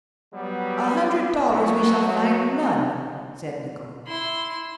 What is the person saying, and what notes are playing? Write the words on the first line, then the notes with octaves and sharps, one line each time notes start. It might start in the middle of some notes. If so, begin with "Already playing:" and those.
"A hundred dollars we shall find none!" said Nicholl.
F#3 G3 B3
B2 F#3
E4 C6